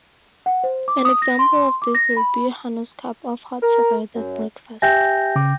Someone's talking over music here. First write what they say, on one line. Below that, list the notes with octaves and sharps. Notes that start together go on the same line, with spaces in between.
An example of this would be Hanno's cup of hot chocolate at breakfast.
F#5
C5
D6
D#6
A#6
C6
D6
A#6
B5
A#4
F#2
G4 E5 G5 G#5 G6 A#6
C#3 D6